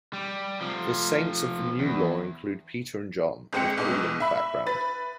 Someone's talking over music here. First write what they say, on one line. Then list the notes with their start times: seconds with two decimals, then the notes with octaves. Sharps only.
The saints of the New Law include Peter and John, with Paul in background.
0.13 G3
0.61 C3 F3
1.79 E2
3.53 G1 G#3 C4 G5 C#7
3.78 A#1 G#2 B2
4.20 E5 B5
4.66 B4 A6